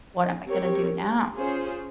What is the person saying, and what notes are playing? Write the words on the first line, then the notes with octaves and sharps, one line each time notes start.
"What am I gonna do now?"
C4 G4 A#4 C#5
C#4 F4 G#4 C5